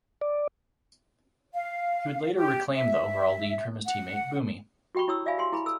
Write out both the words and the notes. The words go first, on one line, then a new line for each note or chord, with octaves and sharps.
He would later reclaim the overall lead from his teammate Buemi.
D5
F5
G4
E5
F#5
F#4 G4 G5 B5 C#6
E4 C#5 D#6 E6
D5 E5 F5 G#5 B5
G4 G#5 C6
E4 G#4 G#5 B5
A4 E6